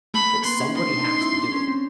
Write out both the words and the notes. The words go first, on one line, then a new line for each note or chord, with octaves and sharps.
that somebody has to do it.
A3 B5
A#3
B3 C6
C#4
D#4 C6
D4
D#4
E4
D4
C#4
C4